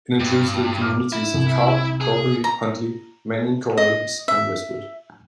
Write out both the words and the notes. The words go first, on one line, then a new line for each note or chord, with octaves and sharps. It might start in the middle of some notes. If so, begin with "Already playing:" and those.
It includes the communities of Carp, Corkery, Huntley, Manion Corners, and Westwood.
G2
D6 F6
E4
C2
G#4
A#5
D#5
E5